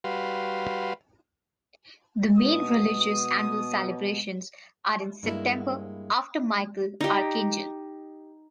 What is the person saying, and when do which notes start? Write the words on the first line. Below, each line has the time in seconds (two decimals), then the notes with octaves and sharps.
The main religious annual celebrations are in September, after Michael Archangel.
0.04 G3 F#4 B4 F5 C6
2.36 B2 B3 D#6
5.23 G2 G#3 A#3 E4
7.01 D#4 G4